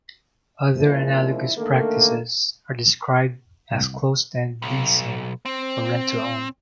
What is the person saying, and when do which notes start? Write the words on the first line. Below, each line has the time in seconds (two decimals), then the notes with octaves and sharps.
Other analogous practices are described as closed-end leasing or rent to own.
0.77 F3 G#3 A#3 C#4 D4 E4
1.57 D3 D#3 A3 A#3
3.71 C2
4.62 B1
5.46 C4